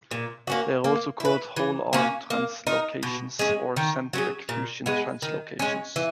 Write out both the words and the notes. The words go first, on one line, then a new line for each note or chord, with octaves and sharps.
They are also called whole-arm translocations or centric-fusion translocations.
A#2
A#3 C#4 F#4
A#3
E4 B4
E3
A#3 C#4 F#4
A#3
D#4 A#4
B2
G#3 C#4
D#3
F#3 C#4 G#4
A#2
G#3 B3
D#3
G#3 C#4
E3